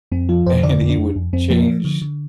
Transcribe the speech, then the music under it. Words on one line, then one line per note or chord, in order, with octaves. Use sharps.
And he would change
F2 C4
F3 F4
F2 C5
D3 D5
F2
D4
F2
F2
F2 C4
F3 A#3
F3
D3
D3